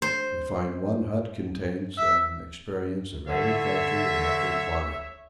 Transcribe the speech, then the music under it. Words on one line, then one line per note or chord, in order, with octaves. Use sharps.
We find one hut contains an experience of every country and every clime!
C5
E5
D3 C#5 E5